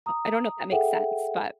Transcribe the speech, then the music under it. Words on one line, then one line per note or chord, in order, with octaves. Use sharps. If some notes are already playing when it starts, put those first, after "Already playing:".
uh, I don't know if that makes sense, but
A#5 D#6
G#4 A4 E5 F#5 G5